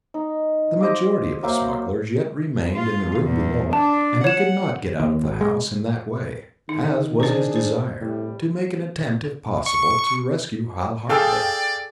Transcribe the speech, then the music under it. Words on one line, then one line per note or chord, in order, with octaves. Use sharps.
The majority of the smugglers yet remained in the room below, and he could not get out of the house in that way, as was his desire, to make an attempt if possible to rescue Hal Hartly.
D#4
C5 D#5 F5 D6
F#3 A#3 C5 E5
F4
E2
D4 A5
C#5 F#5 E7
D#2
G#1
G#3
E2 D#3 D#4
C#4 D4 G#4 C5
C5
E2 A2 C3 G3
C#6
G#4 A4 D5 F5 G5 E6